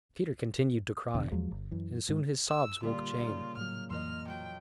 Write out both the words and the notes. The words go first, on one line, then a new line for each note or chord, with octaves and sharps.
Peter continued to cry, and soon his sobs woke Jane.
D#1 E2 B2 D3
E2 F3 F#3 G#3
G1
F#2 E3
G#2
E6
A#2 D3 G3 F4 G4 D5
C#3 D#4
A2 F#3 F6
F2 E3 A#3 D#5 A#5 C6 F6
F3 F#3 G5